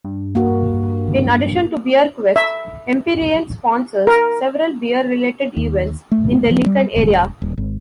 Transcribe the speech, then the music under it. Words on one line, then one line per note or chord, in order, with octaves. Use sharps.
In addition to "BeerQuest", Empyrean sponsors several beer-related events in the Lincoln area.
G2
A#3 F#4
E5
A#4
D#2
A3
F3
G3
E1
D#1
G#1